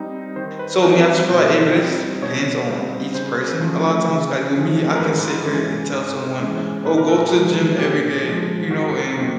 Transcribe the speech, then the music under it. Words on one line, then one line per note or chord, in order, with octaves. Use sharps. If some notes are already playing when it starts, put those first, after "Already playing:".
So, I mean, I just feel like it really just depends on each person a lotta times 'cause with me, I can sit here and tell someone, "Oh, go to the gym every day" you know, and
Already playing: G3 C4 D#4
D#3 C5
B4
G3 C4 D#4 A#4
B4
B2 C5
G3 C4 D#4
B2 C#5
G3 C4 D#4
C#3 C5
F3 A3 C#4
C#3
F3 A3 C#4
A#4
G#2 B4
E3 G#3 C#4
G#2
E3 G#3 C#4
A#2 B4
A#4
A4
A#4
F3 G#3
A#2 G4
F3 G#3
G#2 F#4
D#3 F#3 A#3